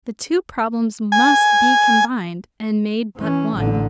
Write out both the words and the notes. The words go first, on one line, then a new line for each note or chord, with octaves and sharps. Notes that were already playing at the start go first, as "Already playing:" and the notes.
The two problems must be combined and made but one.
G#5
E3 C#4
A1 D3